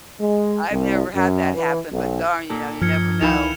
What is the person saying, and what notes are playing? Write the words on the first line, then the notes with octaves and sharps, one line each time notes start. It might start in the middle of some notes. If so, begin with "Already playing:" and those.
I've never had that happen but darn, you know, you never know.
G#3
C2
F#2
E3
B1
A#2 A4
G2 F3 F6 G#6 C#7
C#2 D#3 E3 D#4 F5 B5 E7 F7